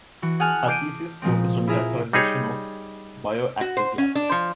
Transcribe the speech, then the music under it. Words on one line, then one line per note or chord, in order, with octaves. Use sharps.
Her thesis focused on characterization of bioactive glasses.
E3 F#4
G#4 F#5 G#5 A5 F6 F#6
D6 G6 C7 D7 D#7
A#2 F3 G#3 C4
E4 G#4 A#4 E5
G3 D#4 G#4 C#5
F#4
C5
C#4
D4
F3